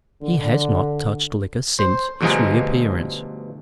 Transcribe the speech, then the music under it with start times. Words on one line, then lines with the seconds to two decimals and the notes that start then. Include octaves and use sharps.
He has not touched liquor since his reappearance.
0.21 D3
1.79 C5
2.21 D2 G2 B2 F3 D#4 G#4